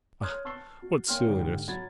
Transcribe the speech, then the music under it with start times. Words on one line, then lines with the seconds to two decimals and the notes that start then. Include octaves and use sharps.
Ah, what silliness!
0.22 C#5 C6 D#6 F6 F#6 G#6
0.45 A5 C#6 E6 A6 C7 G7
0.82 F#4
1.08 A#3 C#5 G5 G#5 C6 F6
1.26 G#2 D3 G4 G5
1.68 F#3 F#5 B5 G#6 A6